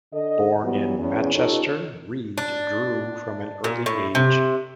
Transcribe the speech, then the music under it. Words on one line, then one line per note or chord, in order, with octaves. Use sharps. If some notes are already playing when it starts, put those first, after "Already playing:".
Born in Machester, Reid drew from an early age.
D3 A4 D#5
E3 F#3 G3 B3
E2 C#4
C#4 D#4 F4 G4 A4 C#5
D4
A#2
A2
C3